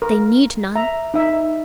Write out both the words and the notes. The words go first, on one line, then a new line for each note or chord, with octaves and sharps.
They need none.
A#4
E5 A#5
D#4 E5